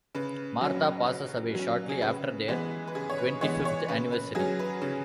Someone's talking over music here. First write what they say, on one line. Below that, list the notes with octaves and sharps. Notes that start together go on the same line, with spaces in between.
Martha passes away shortly after their twenty-fifth anniversary.
C#3 B4
F#3 C#4
C#3
F#3 C#4
G#4
C#3 B4
E3 G#3 B3
B4
C#3 G#4
C#5
B4
E3 G#3 B3 C#5
C#5
C#3 B4
B4
F#3 C#4 G#4
B4
C#3